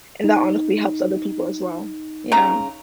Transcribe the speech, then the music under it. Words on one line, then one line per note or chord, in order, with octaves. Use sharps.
And that honestly helps other people, as well. Yeah.
D#4
C#3 A#5